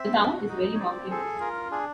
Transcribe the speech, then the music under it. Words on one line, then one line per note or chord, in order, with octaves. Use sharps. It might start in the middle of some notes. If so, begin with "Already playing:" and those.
The town is very mountainous.
Already playing: C4 E5
F#4
D#4
C#5
C4 D5
G#4 A4
F4 A#4
D4 G#4